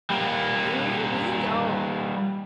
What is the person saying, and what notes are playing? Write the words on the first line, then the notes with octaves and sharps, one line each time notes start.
"Here we are!"
G3 A#3